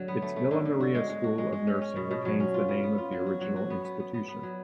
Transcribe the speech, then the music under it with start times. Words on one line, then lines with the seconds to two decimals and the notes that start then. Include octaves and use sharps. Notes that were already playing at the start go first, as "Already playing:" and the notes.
Its "Villa Maria School of Nursing" retains the name of the original institution.
Already playing: D3 F#3
0.08 B3
0.22 A3
0.36 A3
0.51 D3
0.65 D3
0.80 F#4
0.95 G#3
1.09 G#3
1.24 F#4
1.38 G#3
1.53 G#3
1.67 C#4
1.82 C#4
1.96 B2
2.11 B2
2.25 F#3
2.40 C#4
2.54 F4
2.68 B3
2.83 B3
2.98 F4
3.12 F#3
3.27 F#4
3.41 F#3
3.56 F#4
3.70 B3
3.85 B3
4.00 B3
4.14 B3
4.28 B3
4.43 F#3